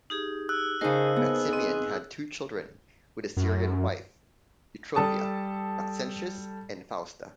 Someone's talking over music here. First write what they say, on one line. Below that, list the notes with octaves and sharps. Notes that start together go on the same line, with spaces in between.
Maximian had two children with his Syrian wife, Eutropia: Maxentius and Fausta.
D#4 G4 G#4
E6 F#6
C#3 D#4 G#4 A#4 C5 A5
B3 G#4
C4 D#5
F#2
G3 A4 A5 D#6